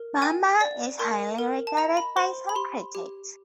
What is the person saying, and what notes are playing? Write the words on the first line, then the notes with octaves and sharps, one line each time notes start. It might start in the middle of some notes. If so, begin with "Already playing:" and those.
"Bomber" is highly regarded by some critics.
Already playing: A#4
G5 G#5
D5
A#4
A#4
A5
D#5 A#5
B5
C5 C6
B5
G4 C6
G4